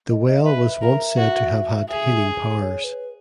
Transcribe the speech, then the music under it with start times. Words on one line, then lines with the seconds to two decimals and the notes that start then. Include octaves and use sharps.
The well was once said to have had healing powers.
0.10 D#5
0.28 D#5
0.45 B4 E5
0.82 A#4
1.17 F#4
1.89 G#4 E5
2.60 C#5
2.84 B4